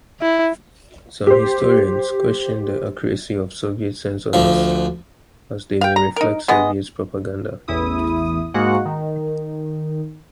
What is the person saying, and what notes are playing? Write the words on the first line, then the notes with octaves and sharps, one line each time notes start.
Some historians question the accuracy of Soviet censuses, as they may reflect Soviet propaganda.
E4
G4 C5
D2 F3
F5 G5
A#5
D#4 A#4
G#3 B3 D#5
A1 E2 E4 D#6
G#2 G#3 A#3 F#4 F#5
D#3